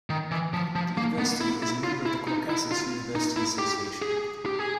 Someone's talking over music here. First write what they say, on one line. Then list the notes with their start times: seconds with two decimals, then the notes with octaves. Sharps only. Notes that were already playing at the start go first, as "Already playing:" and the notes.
The university is a member of the Caucasus University Association.
0.10 D#3
0.31 E3
0.54 F3
0.75 F3
0.97 A#3
1.19 B3
1.41 E4
1.63 E4
1.84 F4
2.06 E4
2.27 D#4
2.50 E4
2.72 F4
3.15 D#4
3.36 E4
3.59 G4
4.02 G#4
4.46 G4
4.59 G#4